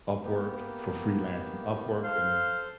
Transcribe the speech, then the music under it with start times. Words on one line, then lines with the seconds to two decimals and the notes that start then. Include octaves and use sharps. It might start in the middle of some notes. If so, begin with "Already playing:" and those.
Upwork for freelancing Upwork and
0.23 A#3 B3 G4
2.04 A4 C5 F5 G6